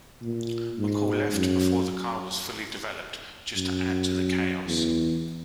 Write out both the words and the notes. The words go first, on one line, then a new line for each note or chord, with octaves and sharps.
McCall left before the car was fully developed, just to add to the chaos.
A#2
G#2
F#2
F#2
E2